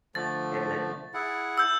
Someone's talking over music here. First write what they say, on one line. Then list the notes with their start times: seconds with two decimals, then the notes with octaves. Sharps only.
And that t
0.15 D3 F3 A3 A6
1.14 E4 G#4 F#5
1.58 E6 G6